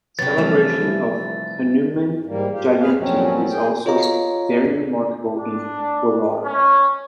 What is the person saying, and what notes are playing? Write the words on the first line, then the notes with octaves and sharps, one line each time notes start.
Celebration of Hanuman Jayanti is also very remarkable in Warora.
C3 F#3 G4 B4 A6
E3 F3 G3 A3
G3 A3 E4
G#2 G3 A#3
F4 G4
G#2 C#3 G#4 B4 F5
F2 A#2 F3 F#3 C4 C#4
A#3 G#4 G5
F4 A4 C#5 D#5 F5 A#5
D4
C#4